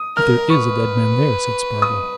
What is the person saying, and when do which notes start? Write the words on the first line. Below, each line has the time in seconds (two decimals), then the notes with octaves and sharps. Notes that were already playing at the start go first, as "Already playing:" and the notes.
"If there is a dead man there," said Spargo.
Already playing: D#6
0.16 A#4 F6
0.49 B4 C#6
1.82 D#6